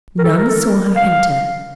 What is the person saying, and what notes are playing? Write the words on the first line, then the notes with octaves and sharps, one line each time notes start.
None saw her enter.
A#4
A4
A#4
A4
A#4
F5